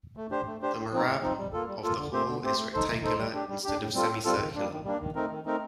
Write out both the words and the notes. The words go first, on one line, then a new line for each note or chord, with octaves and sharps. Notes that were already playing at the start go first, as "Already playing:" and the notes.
The mehrab of the hall is rectangular instead of semi-circular.
A3
D4 G4 C5
A3
D4 G4 C5
A2
F3 C4 D#4
A2
F3 C4 D#4
G3
A#3 F4 A4
G3
A#3 F4 A4
D3
A3 C4 G4 C5
D3
A3 C4 G4 C5
A3
D#4 A4 C5
A3
D#4 A4 C5
G3
D4 G4
G3
D4 G4
A2
G3 C4 F4 A4
A2
G3 C4 F4 A4
D#3
G3 A#3 D4
D#3
G3 A#3 D4
D#3
A3 C4 D#4 A#4
D#3
A3 C4 D#4 A#4